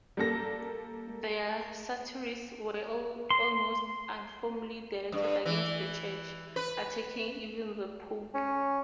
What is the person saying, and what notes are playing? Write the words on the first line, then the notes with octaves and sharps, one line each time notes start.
Their satires were almost uniformly directed against the church, attacking even the pope.
G3 A#3 A4 A#6
C6
G2
E3
B4
C#4